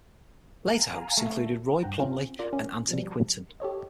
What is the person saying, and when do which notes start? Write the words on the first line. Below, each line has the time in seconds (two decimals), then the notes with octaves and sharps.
Later hosts included Roy Plomley and Anthony Quinton.
0.67 F5 G#5 A#5
1.17 A3
1.83 G2 F#5 G5 A#5
1.99 C4 C#4 F4
2.39 F4 A#4 D5
2.53 C#4
2.89 B2 F3 G3
3.60 G4 A4 C#5 D#5